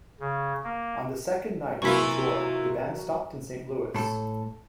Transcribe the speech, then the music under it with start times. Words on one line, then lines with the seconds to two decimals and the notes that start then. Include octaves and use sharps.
On the second night of the tour, the band stopped in Saint Louis.
0.20 C#3
0.64 A#3
1.82 C3 E3 F#3 A#3 E4 F4 C#6 B6
3.94 A2 A4